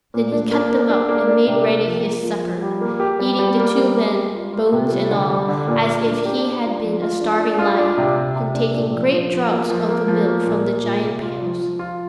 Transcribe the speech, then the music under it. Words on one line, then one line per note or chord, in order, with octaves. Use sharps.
Then he cut them up, and made ready his supper, eating the two men, bones and all, as if he had been a starving lion, and taking great draughts of the milk from the giant pails.
A#2
D4
A#3
A#3
D4
A#3
D4
C3
A#3
F3
A#3
F3
F3
G3
A#3
G4
G3
G3
A#3
G3
A#3
G3
F4
F4
C3
G3
D3
G3
D3
A#2
A#3
D4
G4
D4
F4
F3
F4
D4
D4
F4
D4
C3
C3
C3
D4
A#2
F3
F3
F3
A#3
F3
A#3
F3
A#3
A#2
A#3
A#2
C3
F4
F3
F3
F4